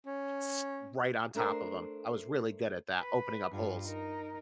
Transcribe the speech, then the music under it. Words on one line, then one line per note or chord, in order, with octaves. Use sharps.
s right on top of him, I was really good at that, opening up holes.
C#4
A3 D4 A#4 C5
B4
G2 F4
D#4 A#4